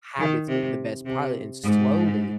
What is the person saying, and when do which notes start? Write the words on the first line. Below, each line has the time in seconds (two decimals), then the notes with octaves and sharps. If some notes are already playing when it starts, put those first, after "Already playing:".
habits of the best pilot, and slowly
0.19 D#3
0.48 C3
1.06 C3
1.63 G#2